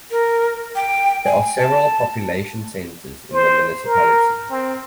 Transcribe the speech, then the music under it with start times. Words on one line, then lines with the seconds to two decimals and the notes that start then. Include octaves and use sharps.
There are several population centers in the municipality.
0.11 A#4
0.76 G5
1.26 G#5
1.59 A5
3.33 C5
3.86 A#4
4.50 C4